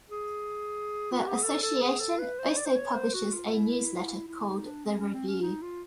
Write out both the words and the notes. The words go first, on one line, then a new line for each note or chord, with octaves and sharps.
The Association also publishes a newsletter called the Review.
G#4
F4
F#4
G4
G#4
A4
A4
G#4
A4
B4
C5
D5
C5
C#5
C5
F#4
F4
E4
E4
D#4
D4
C4
C#4
C4
C#4
D#4
F4